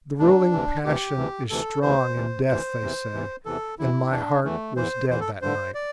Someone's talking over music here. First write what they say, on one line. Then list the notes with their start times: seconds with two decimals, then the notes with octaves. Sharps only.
The ruling passion is strong in death, they say, and my heart was dead that night.
0.19 D2 C3 E3 D4
0.52 D2 C3 E3
0.85 D2 C3 E3 G4
1.17 D2 C3 E3
1.50 D2 C3 E3 A4
1.82 D2 C3 E3 C5
2.15 D2 C3 E3
2.48 D2 C3 E3 C5
2.80 E2 C3 E3
3.13 E2 C3 E3
3.45 E2 C3 E3 A4
3.79 E2 C3 E3 E4
4.11 E2 E3 D4
4.44 E2 E3 A3
4.76 E2 E3 C5
5.10 E2 E3 C5
5.20 A4
5.42 G2 D3 C5
5.74 D5